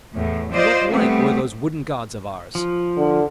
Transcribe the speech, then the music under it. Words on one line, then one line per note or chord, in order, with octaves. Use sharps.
And what like were those wooden gods of ours?
E2 A2
F4 C5 D5 D#5
G3 A3 B3 C4
F3
D3